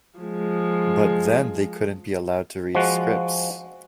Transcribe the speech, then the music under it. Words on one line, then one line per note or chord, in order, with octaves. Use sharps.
But then they couldn't be allowed to read scripts.
F3 G#3
F3 G#3 F#4